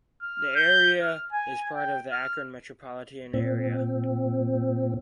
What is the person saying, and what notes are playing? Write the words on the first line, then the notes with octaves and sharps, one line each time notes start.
The area is part of the Akron metropolitan area.
F6
G6
F6
G#5
G5
F6
A#2 C4